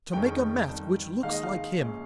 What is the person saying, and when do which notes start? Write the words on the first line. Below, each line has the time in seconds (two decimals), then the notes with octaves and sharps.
To make a mask which looks like him!
0.13 F1 F2 D#3 G#3 C#4 G5
0.68 F2 D#3 G3
1.23 D#2 D#3 G#3 D#4 F5
1.32 D#5
1.43 F5
1.78 A#1 A#2 G#3 C#4